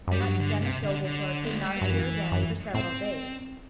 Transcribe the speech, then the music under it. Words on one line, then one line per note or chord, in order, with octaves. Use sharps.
But Denis Oglethorpe did not appear again for several days.
F#2 G3
G2 F#3
D3
C3
D3
D3
B3
A3
G3
G2 F#3
F#2 E3
F#2
A2 C4